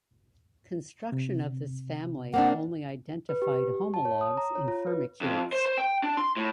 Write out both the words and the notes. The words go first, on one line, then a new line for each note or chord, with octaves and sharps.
Construction of this family only identified homologues in Firmicutes.
C3
A#3 C4 D4 F#5
B4
G4
A5
C#5
D#6
A#5
C#5
F4
B4
F2
C5
C5
G5
D4
C6
A2